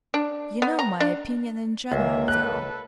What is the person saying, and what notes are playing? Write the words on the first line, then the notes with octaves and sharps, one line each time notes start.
You know my opinions in general, though.
D4
B3
A#5
D4
C#2 A#3 G#4 E5
A4 B4 F#6